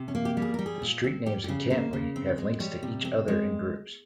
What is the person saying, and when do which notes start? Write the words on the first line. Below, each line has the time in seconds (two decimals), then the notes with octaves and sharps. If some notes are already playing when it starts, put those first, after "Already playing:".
The street names in Cantley have links to each other in groups.
Already playing: C3
0.08 C#4
0.15 A#3
0.25 G4
0.37 G3
0.42 G#4
0.54 G3 A#4
0.66 G#4
0.82 A#2
1.04 C4
1.26 G3 G4
1.44 G4
1.48 C#3 G#4
1.70 A#3 C5
1.93 C#3
2.16 C4
2.38 G#3
2.60 G3 C#5
2.83 C3
3.05 C4
3.28 G#3 C#5